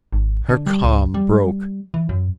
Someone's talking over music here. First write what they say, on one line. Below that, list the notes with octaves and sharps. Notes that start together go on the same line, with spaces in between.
Her calm broke.
G#1
D3
G3
C#2
G3
E3
F#2